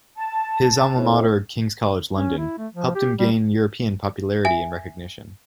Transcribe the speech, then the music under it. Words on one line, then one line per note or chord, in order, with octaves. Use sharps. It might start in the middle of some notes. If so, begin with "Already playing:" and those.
His alma mater, King's College London, helped him gain European popularity and recognition.
A5
F2 A2
C#4
E4
A3
F3
G4
G3
E5 G#5